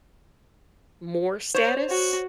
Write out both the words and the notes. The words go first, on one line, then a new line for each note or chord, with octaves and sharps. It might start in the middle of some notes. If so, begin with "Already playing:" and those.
more status.
C5 C#5
F#4